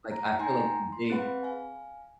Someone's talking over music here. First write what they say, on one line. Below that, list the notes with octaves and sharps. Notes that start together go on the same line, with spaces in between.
like, I feel like the big
A#5
D#4 G5 G#5 A#5 C6
C6
C4 G#4 B4 F5 F#5 B5
F5 G#5